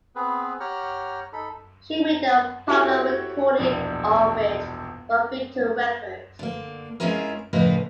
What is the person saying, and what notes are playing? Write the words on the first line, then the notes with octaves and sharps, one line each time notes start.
She made a popular recording of it for Victor Records.
B3 C4 G#4 B4
G4 C#5 F#5 G5 A#5 F6
D#4 A4 B5
E4 F#4 G4 A4 C#5 E5
E1 A#1 D4
D3 A#3
G#3 C#4 E4 F4 G#4 A#4
A2 C#3 F3 A#3 B4 D#5